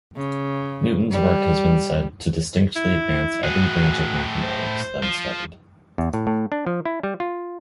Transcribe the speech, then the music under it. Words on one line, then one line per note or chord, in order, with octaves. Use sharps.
Newton's work has been said "to distinctly advance every branch of mathematics then studied".
C#3
G3
E4
A2 F#4 G#4
C5
F3
E2
A2
A2
D4
F3
E4
G3
F4